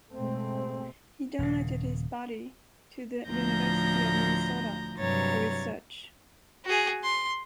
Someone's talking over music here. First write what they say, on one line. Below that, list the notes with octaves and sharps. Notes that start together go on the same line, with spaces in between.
He donated his body to the University of Minnesota for research.
B2 G#3 A3 C4
D#1 C#3
D2 A2 F3 A#5 G6 A#6
G2 C3 F#3 C#5 A#5 A6
F#4 G#4
C6